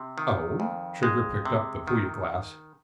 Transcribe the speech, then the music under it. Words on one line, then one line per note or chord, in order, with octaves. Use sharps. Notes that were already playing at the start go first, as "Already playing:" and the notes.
"Oh?" Trigger picked up the Puya glass.
Already playing: C3
D#3
F2
G#3
C3
D#3